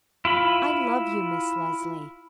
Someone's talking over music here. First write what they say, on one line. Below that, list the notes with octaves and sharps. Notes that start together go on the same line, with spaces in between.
I love you, Miss Leslie.
E4 F4 B5